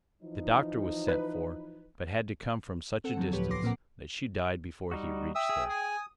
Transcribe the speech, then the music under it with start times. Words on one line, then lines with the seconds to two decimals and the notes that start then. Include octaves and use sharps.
The doctor was sent for, but had to come from such a distance that she died before he reached there.
0.22 E3 F3 D#4
1.08 B4
3.04 C4 A4 F#5
3.16 D3 F3 F#3 C4
3.33 C#2 A2 F3 G4 B4 C#5
3.50 C6 D6 A#6 C7
3.63 A#2 A#3 C4 A#4 F#5
4.91 G3 D#4 F#4
5.35 E5 G5 D#6 E6
5.49 G#4
5.70 G#5 D#6